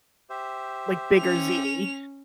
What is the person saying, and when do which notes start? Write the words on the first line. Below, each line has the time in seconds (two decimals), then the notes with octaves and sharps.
like, bigger ziti.
0.30 G4 C5 E5
1.18 C#4 F7